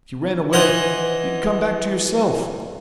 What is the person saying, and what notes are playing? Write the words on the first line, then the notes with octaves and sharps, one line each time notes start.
If you ran away, you'd come back to yourself.
E3 C#5 D#5 F#5 C6